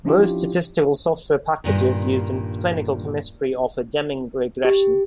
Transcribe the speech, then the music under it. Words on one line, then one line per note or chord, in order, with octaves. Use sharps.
Most statistical software packages used in clinical chemistry offer Deming regression.
F3 C#4 D4 E4 F4 G4
G2 A#2 D#3
G4